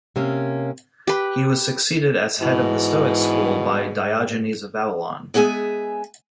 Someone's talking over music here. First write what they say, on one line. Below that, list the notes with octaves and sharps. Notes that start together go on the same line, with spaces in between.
He was succeeded as head of the Stoic school by Diogenes of Babylon.
C3 A#3 C#4
G4 B4
G#2 B2 E3
G#3 B3 G#4 E5 G#5